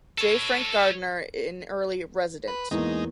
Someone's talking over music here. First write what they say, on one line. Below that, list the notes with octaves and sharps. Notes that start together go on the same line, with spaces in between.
J. Frank Gardner, an early resident.
A4 C#5
B4
E2 G#3 A#3 D#4